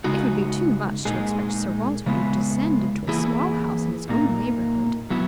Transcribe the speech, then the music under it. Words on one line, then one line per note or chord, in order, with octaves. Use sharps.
It would be too much to expect Sir Walter to descend into a small house in his own neighbourhood.
C#3 G#3 D#4 F#4
A#2 G#3 D#4 G#4
C#3 G#3 B3 E4
E3 A#3 E4 G#4
A#2 A#3 D#4
F#3 B3 E4